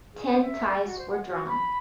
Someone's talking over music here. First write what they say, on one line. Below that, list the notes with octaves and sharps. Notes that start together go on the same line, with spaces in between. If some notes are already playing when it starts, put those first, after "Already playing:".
Ten ties were drawn.
G#4
C5
E5
D5
F#4
C5
F#5
F#4
B5